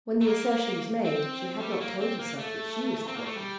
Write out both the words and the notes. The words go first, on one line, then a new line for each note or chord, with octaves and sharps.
When the assertion was made she had not told herself that she was the woman.
A3
A#3
C4
G3
A3
A#3
C4
A#3
A3
C4
A#3
A3
G3